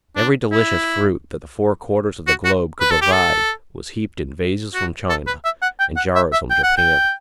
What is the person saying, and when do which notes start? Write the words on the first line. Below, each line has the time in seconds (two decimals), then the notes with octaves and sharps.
Every delicious fruit that the four quarters of the globe could provide was heaped in vases from China and jars from Japan.
0.16 D4
0.52 E4
2.27 F#4
2.45 F#4
2.80 B4
2.91 A4
3.02 G4
3.13 A4
4.74 F#4
5.09 A4
5.27 B4
5.45 E5
5.62 F#5
5.80 G5
5.97 F#5
6.15 E5
6.32 E5
6.50 G5
6.63 F#5
6.77 G5